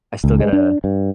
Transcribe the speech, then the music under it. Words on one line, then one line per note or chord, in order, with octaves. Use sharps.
I still gotta
C#2
G#3
D4
G2